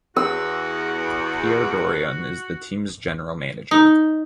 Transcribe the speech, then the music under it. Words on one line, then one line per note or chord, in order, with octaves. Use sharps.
Pierre Dorion is the team's general manager.
E2 F#4 E6
D#4